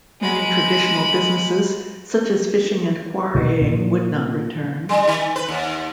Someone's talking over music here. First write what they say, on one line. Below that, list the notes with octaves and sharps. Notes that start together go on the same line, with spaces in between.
Many traditional businesses, such as fishing and quarrying would not return.
G#3 B5
B2
A#2
G3
D#3
B4
D#2